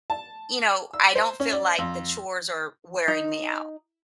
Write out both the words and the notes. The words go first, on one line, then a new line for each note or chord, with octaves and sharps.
you know, I don't feel, like, the chores are wearing me out
A5
E6
C5
C#4
D5
F2
D#4